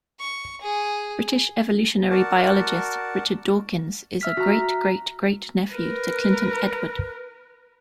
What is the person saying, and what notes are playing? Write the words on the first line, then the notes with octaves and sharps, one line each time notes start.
British evolutionary biologist Richard Dawkins is a great-great-great-nephew to Clinton Edward.
C#6
G#4
F#4 A#4 D5 F#5 A5
E5 F6 B6
F#4 A#5
A#4 B4